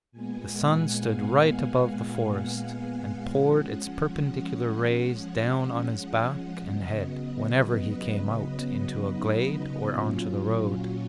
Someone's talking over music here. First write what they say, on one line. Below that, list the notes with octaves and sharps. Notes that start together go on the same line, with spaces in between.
The sun stood right above the forest and poured its perpendicular rays down on his back and head whenever he came out into a glade or onto the road.
A#2 G#3 B3 G#5
F#5
F5
F3 G#3 C#4 F#5
F#5
C#3 F#3 B3 D#5
B4
D#4
A#2 F#3 C#4 F4
F#4